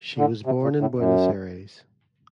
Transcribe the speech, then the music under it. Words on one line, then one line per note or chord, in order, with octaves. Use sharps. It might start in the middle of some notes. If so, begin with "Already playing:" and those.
She was born in Buenos Aires.
D3
C3
A#2
A2
F#2